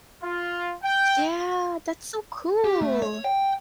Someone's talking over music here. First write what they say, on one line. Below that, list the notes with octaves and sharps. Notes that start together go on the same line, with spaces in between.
Yeah, that's so cool.
F4
G5
G4
A3
C#5
G5